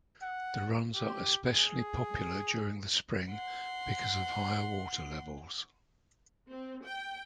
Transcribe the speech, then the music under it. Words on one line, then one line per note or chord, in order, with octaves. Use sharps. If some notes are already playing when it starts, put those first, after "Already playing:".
The runs are especially popular during the spring because of higher water levels.
F#5
G4
G#4
F#5 C6
C4
G5